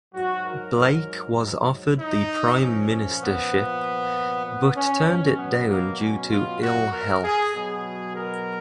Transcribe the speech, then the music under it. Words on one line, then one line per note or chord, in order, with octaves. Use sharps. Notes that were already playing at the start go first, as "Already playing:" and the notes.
Blake was offered the prime ministership, but turned it down due to ill health.
G#2 F#3 F#4
A#4
D#4
A#2 F3 C#4
B3
B3
C#4
B2 F#3 C#4
B3
A#3
C#4
F4
F#4
A#4
G#4
B2 F#3 G#4
A#4